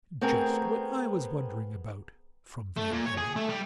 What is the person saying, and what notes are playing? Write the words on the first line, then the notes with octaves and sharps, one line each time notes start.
"Just what I was wondering about," from Van Emmon.
A3 B3 C4 G#4 A#4
A3
A#2
C#5
G#4
A3
G3